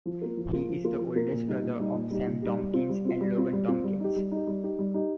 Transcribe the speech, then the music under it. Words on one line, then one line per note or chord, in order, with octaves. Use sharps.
He is the oldest brother of Sam Tomkins and Logan Tomkins.
F3
A#3 F4 A#4
F3
A#3 F4 A#4
F3
A#3 F4 A#4
F3
A#3 F4 A#4
A#2
G3 D#4 G4
A#2
G3 D#4 G4
A#2
G3 D#4 G4
A#2
G3 D#4 G4
G3
C4 F4
G3
C4 F4
G3
C4 F4
G3
C4 F4
G3
D#4 G4
G3
D#4 G4
G3
D#4 G4
G3
D#4 G4